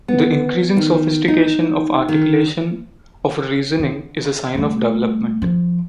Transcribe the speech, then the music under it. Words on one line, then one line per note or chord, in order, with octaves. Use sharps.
The increasing sophistication of articulation of reasoning is a sign of development.
B3
D#3
D#4
D#3
D3
G3 A3
F3